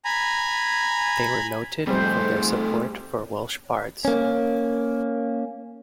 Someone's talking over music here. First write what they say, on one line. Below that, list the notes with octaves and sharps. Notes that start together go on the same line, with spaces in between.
They were noted for their support for Welsh bards.
G#5 A#5 B5
F2 G#2 G3 A3 C4 G#4 C5
A#3 C#4